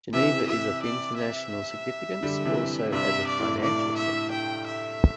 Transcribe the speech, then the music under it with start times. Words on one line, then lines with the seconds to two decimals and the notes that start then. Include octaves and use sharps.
Geneva is of international significance also as a financial center.
0.13 C3 E3 E5
0.48 E5
0.83 D5
1.18 E5
2.23 D3 G3
2.45 C3 E3
2.92 G2 C3 E5
3.28 D5
3.40 A2
3.62 A2 D5
3.98 E5
4.31 G5
4.67 E5